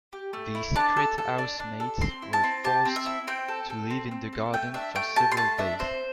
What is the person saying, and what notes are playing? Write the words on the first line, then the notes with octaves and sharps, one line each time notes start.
The secret housemates were forced to live in the garden for several days.
G4
A3
E4
D4 A5
A4
A4
D4
D4
A4
C4 C6
E4
A5
C4
G4 A5
C4
E5
E4
C4 G5
A4
A4
C4
C4
A4
A3 G5
D4 E5
A3 G5
G4 A5
C6
A3 A5
D4 E5
C4 C5